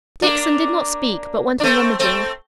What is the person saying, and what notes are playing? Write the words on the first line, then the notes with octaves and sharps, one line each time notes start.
Dixon did not speak, but went on rummaging.
A#3 D4
D4
A3 C4
A3 C4